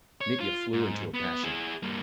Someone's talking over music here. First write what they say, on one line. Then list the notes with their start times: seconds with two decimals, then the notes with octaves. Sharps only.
Mitya flew into a passion.
0.21 C#5
0.40 F4
0.73 G#2
1.14 B3
1.43 E4 G#4
1.83 G2 A#3